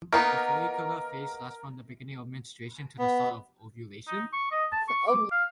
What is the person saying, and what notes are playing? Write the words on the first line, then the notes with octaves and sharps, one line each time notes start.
The follicular phase lasts from the beginning of menstruation to the start of ovulation.
A#3 B3 D#4 A#4
B3
D#4
C#6
D#5
A5
C#6
D6
F5